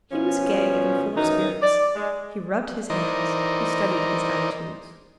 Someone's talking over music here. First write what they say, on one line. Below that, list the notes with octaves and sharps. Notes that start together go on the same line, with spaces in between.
He was gay and full of spirits; he rubbed his hands, he studied his attitudes.
B2 F3 C#4
F#2 D#3 E3 D#4
D5
G#3
E3 D#4 A#4 C5 D5 D#5